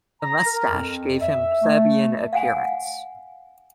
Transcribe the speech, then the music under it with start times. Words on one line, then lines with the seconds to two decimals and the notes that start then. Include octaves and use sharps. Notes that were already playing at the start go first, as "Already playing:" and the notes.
The mustache gave him plebeian appearance.
0.22 A#5
0.46 A#4
0.70 F2
1.21 E5
1.62 A3
2.33 F5 F#5 G#5